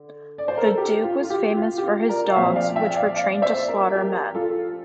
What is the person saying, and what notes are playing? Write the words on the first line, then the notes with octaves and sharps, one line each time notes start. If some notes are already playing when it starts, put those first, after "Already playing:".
The duke was famous for his dogs, which were trained to slaughter men.
Already playing: D3
D5
C5
A#4
A4
G4
F4
F4
G4
F4
G4
F4
A#4 D5
F5
A#2 F3 C4 C5 E5
D5 F5
E5 G5
D5 F5
D5 F5
D5
C5 E5
A#4 D5
G4 A#4
F4 A4